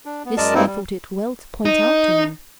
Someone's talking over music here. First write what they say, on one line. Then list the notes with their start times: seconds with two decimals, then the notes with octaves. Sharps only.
This he thought it well to point out to her.
0.05 D4
0.25 B3
0.37 F#2 G#3 A#4 D5 D#5 A5
0.54 G2 A#3 C4 D#4 E4
0.67 G3
1.65 D#4